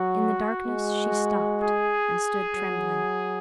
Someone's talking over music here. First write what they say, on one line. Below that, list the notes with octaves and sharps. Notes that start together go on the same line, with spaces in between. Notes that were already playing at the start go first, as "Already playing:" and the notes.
In the darkness she stopped and stood trembling.
Already playing: F#3 F#4
G#3
G#4
F#3